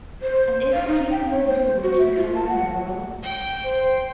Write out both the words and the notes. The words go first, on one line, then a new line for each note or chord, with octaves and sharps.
And isn't pink the most bewitching color in the world?
C5
F5
D#4
G5
C#5
C5
F#4
E5
F4
A5
F#5
G5
C5